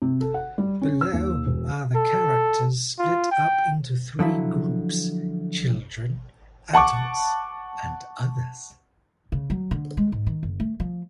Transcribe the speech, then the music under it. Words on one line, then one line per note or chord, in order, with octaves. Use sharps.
Below are the characters split up into three groups, children, adults, and others.
C3
A4
F#5
G3
C#4
E6
D#2
E1
A4
F4
G5
D3 F3 F#3 E4
F#5 A5 C#6 D6
C#3
F#3
D3
G#3
G#2
D#3
F#1
A3
F3